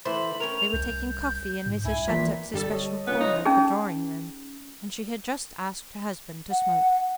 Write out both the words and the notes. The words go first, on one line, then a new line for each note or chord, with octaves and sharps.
They were taking coffee in Mrs. Shattuck's especial corner of the drawing-room, and she had just asked her husband to smoke.
E3 A3 C5 B5
C#4 A#4 C#5 G5 F7
C2 G6
G#2
C2 E4 G#5
A#1 A#2 E3 B6
G1 G3 A4
C#5 D#5
C#3 B3 F4 G#4
D#4
C#4 D#4 G#4
F#5